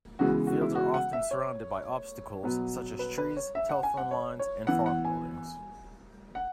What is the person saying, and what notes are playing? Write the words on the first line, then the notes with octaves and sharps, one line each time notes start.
Fields are often surrounded by obstacles such as trees, telephone lines, and farm buildings.
C#3 E3 G#3 B3 F#4
F#4
E4
F#4
F#5
E5
C#5
B2 F#3 B3
B4
B4
C#5
E5
F#5
G#5
F#5
C#5
C#5
E3 B3 F#5
F#5
G#5
F#5